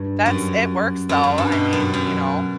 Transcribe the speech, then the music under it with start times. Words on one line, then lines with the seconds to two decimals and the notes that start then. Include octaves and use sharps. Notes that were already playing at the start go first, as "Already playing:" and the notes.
That's it works, though, I mean, you know,
Already playing: G2
0.26 F#2
1.09 F#2
1.24 F#2
1.38 G2
1.52 B2
1.73 F#2
1.94 F#2